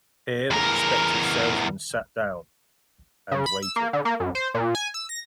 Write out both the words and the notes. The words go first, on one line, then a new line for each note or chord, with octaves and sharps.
Here the prospective salesmen sat down — and waited.
E2 A#4
C#3
B5
E6
A#3
D3
A#3
F#2
C5
A#2
G#5
E6
A#6